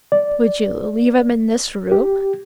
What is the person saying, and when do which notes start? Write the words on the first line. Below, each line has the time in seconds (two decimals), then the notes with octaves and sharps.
"Would you leave him in this room?"
0.12 D5
1.92 G4